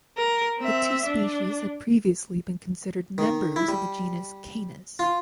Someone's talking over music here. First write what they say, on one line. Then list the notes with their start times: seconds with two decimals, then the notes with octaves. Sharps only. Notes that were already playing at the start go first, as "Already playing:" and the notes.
The two species had previously been considered members of the genus "Canis".
0.17 A#4
0.59 C4 E5
1.06 D4
3.18 D#3
3.56 E4
3.68 G3
4.99 F4